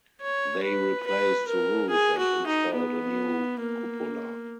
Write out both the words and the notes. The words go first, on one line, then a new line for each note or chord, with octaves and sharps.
They replaced the roof and installed a new cupola.
C#5
B4
B4
A#4
G#4
F#4
D#4
B3
A#3